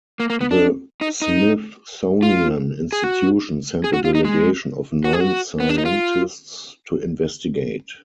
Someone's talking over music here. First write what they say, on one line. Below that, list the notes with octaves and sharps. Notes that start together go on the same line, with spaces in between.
The Smithsonian Institution sent a delegation of nine scientists to investigate.
A#3
A#3
B3
D4
D#4
D#4
F4
G#4
F#4
G#4
F#4
F4
D#4
G#3
F#4
G#4
F#4
B3
D4
D#4
F4